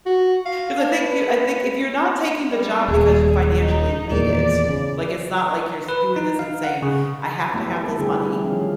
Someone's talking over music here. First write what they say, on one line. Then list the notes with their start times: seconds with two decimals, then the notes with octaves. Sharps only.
'Cause I think you I think if you're not taking the job because you financially need it, like, it's not like you're doing this and saying, "I have to have this money"
0.06 F#4
0.46 F5
0.79 D4
1.01 B4
2.48 G3
2.88 D#1 G#4
3.60 D#4
4.11 E2 A#2 D#3 D5
4.68 C#3
5.89 B4
6.16 D#4
6.39 F5
6.64 F#5
6.82 C#3
7.54 A3 B3 E4 G4 E5
7.83 G3 C4 A4
7.98 D3 B3 C4 E4 G4 G#4
8.43 D#3 F3 G3 C#4 G#4 F5